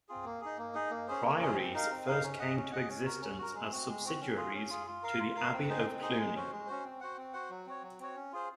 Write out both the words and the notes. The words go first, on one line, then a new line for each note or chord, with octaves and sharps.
Priories first came to existence as subsidiaries to the Abbey of Cluny.
C4 F4 G#4
A#3
D#4 G#4
A#3
D#4 G#4
A#3
C#4 G#4 C5
A#3
C#4 G#4 C5
C4
D#4 A#4 F5
C4
D#4 A#4 F5
C#4
G#4 D#5 F#5
C#4
G#4 D#5 F#5
C#4
F#4 A#4
C#4
F#4 A#4
G#3
C4 F#4
G#3
C4 F#4
C#4
F4 G#4
C#4
F4 G#4
F4
A#4 F5
F4
A#4 F5
C4
D#4 G#4 C5
C4
D#4 G#4 C5
G#3
C#4 F#4 C5
G#3
C#4 F#4 C5
C4
F#4 C5 F#5
C4
F#4 C5 F#5
F#3
C4 F#4 C#5
F#3
C4 F#4 C#5
C#4
F4 G#4 C5